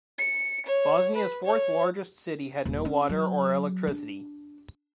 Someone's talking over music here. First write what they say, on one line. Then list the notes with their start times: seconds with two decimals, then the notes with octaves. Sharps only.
Bosnia's fourth-largest city had no water or electricity.
0.18 C#7
0.66 C#5
1.15 B4
1.44 C#5
2.65 D#1
2.85 C#4
3.09 F#3
3.87 D4